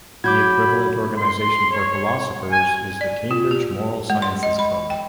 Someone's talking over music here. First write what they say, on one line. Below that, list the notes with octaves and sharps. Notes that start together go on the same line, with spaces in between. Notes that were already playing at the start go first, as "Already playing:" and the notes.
The equivalent organisation for philosophers is the Cambridge Moral Sciences Club.
F#3 F#4 B5 D6 G6 G#6
C6
C#5
G#5
D5
F4
G4
G#3
C6
D#5
B5
G5